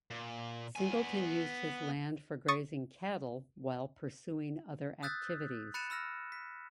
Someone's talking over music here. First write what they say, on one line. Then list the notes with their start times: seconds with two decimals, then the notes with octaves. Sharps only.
Singleton used his land for grazing cattle while pursuing other activities.
0.11 A#2
0.75 B3 G#5
2.48 C#6 D#6 A6
5.03 D#6 E6 F#6 G6 A6 B6
5.74 B5 F#6 A6 C#7 D#7 E7
5.90 B5 E6 F6 A#6
6.32 B6